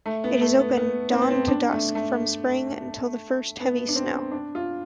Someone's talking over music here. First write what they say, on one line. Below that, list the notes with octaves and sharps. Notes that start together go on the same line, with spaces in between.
It is open dawn to dusk from spring until the first heavy snow.
A3
B3
A3
B3
B3
C4
B3
C4
D4
A3
A3
B3
D4
C4
D4
F4